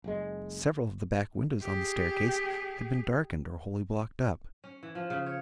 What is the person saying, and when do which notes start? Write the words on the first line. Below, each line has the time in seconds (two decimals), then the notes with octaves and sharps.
Several of the back windows on the staircase had been darkened or wholly blocked up.
0.04 F#1 G#3
1.62 G4 G#4
4.64 C#4
4.83 E3
4.95 F3
5.10 C#3
5.26 C#5